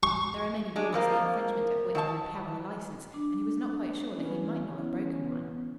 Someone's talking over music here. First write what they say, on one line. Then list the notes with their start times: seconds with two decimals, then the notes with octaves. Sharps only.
There are many rules the infringement of which will imperil a licence, and he was not quite sure that he might not have broken one.
0.03 C#6
0.76 G#3 D4
0.93 F2 F3 A#3 A#4
1.95 D#3 E5 A5
3.14 D4
4.14 E3 B3 C#4